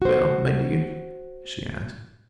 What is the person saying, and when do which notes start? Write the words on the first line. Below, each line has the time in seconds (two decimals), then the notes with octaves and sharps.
"Well, my dear?" she asked.
0.02 F#4 C5